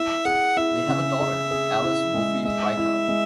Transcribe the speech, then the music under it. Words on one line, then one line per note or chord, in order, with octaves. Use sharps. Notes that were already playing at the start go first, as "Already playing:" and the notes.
They have a daughter, Alice Wolfe Reichert.
Already playing: E4 E5
G#4 F#5
E4 E5
C#3
G#4
G#4
E4
G#3
G#3 E5
E4
G#3